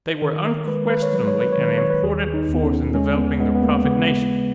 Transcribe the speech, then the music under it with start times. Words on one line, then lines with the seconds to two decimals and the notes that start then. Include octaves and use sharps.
They were unquestionably an important force in developing the prophet nation.
0.22 D#3 A#4
0.45 A#4
0.67 G#3 B4
0.90 B4
1.03 C#5
1.13 F#3 B4
1.28 C#5
1.40 B4
1.53 C#5
1.58 D#3
1.65 B4
1.78 C#5
1.90 B4
2.03 D#2 G#4
2.34 D#4
2.49 D#2 B3
2.64 C#4
2.94 G#3 C#4
3.17 B3
3.40 G#3 B3
3.55 B3
3.63 A#3
3.85 C#3 B3